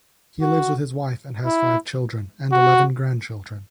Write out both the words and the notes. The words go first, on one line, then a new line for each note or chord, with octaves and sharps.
He lives with his wife and has five children and eleven grandchildren.
F#4
E4
F#4